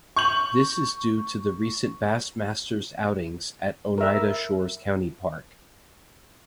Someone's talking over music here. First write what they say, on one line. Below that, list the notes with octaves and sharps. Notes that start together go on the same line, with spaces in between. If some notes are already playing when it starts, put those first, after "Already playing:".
This is due to the recent Bass Masters outings at Oneida Shores County Park.
C#6 G6 F#7
A#4 E5